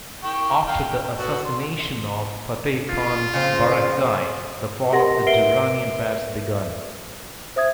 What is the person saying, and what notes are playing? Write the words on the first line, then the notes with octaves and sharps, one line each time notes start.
After the assassination of Fateh Khan Barakzai the fall of the Durrani Empires begun.
G5 C#6
F5 G5
G5
B3 F#4 A4
C6
F4
C#3 F3 C4
G4 A#4 D#5 F#5 C6 A#6
A#4 B4 E5 C7 D7 G7
C5 E5 D#6 G#6